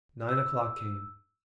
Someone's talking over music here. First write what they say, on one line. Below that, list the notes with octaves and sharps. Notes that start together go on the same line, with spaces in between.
Nine o'clock came.
E6